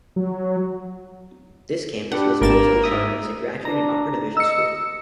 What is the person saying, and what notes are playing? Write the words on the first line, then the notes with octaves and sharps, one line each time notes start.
This campus was originally chartered as a graduate and upper division school.
F#3
D4 G4 B4 F#5
G#1 A#3 A6 E7
G#2 E5 D#6
D4 A#5
D#5 E6 C#7